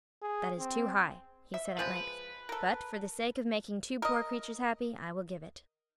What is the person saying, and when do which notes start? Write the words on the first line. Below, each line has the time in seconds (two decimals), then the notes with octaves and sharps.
"That is too high," he said at length, "but for the sake of making two poor creatures happy, I will give it."
0.22 G#4
0.59 C4
1.54 E5
1.79 F3 G#3 B4
2.49 A4 A#4
4.02 A#4 D#5